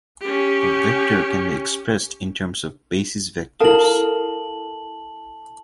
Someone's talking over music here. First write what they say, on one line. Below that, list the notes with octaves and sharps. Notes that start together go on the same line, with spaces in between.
A vector can be expressed in terms of basis vectors.
C#4 G4
E4 A4 A#4 F5 A5 F#7